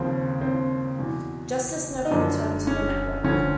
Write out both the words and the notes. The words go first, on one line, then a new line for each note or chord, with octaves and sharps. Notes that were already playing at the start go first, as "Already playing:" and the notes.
Justice never returned to the network.
Already playing: D#2 C#3 F3 C4
C4
E2 B2
D#4
F#2 D3 F3 D4
C#4
D2 D3 F3 C#4